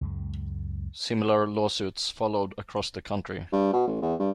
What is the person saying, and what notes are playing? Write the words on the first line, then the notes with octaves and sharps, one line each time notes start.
Similar lawsuits followed across the country.
C#2 F#2 G#3
G2
B2
A1
E2
G2